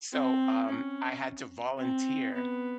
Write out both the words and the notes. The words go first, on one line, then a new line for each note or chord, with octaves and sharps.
so, um, I had to volunteer
C4
C#4
C4
B3